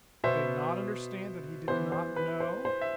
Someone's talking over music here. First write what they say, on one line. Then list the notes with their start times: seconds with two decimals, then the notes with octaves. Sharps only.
Did they not understand that he did not know?
0.24 B2 B3 C5 E5
1.68 E3 B3 C5
1.92 C5
2.16 B4
2.40 C5
2.65 C5
2.81 E5